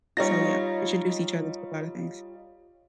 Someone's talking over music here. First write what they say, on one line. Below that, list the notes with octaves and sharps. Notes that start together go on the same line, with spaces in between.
So, yeah, introduce each other to a lotta things.
G3 D#4 F4 C#5 A#6